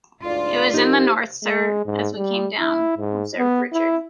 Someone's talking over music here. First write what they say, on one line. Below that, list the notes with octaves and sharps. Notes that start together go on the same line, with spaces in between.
"It was in the north, sir, as we came down," observed Richard.
D2 G#2 F4 D5
F3 D#4 G4 A#4 C5
G#3
G#2
G3
E4
G#2
B3
E4